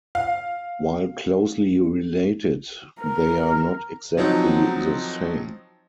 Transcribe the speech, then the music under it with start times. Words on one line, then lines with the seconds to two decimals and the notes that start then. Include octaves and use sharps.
While closely related, they are not exactly the same.
0.15 F5
3.02 A#4
4.17 F3 F#3 C4 D#4